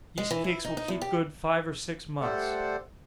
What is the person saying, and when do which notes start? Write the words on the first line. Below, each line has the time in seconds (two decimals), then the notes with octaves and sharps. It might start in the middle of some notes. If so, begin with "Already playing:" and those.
Yeast cakes will keep good five or six months.
0.18 G#3
0.31 E3
0.44 E4
0.65 D#4
0.77 D#4
0.88 E2
1.01 G4
2.21 G3 A3 A4 C5 D5 F#5